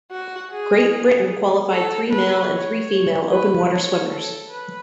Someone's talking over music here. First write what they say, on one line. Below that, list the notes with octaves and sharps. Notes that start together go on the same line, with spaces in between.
Great Britain qualified three male and three female open water swimmers.
F#4
G#4
A4
B4
C#5
B4
C#5
A4
B4